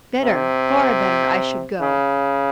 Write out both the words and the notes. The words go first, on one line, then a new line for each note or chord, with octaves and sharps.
Better--far better--I should go.
C3
C#3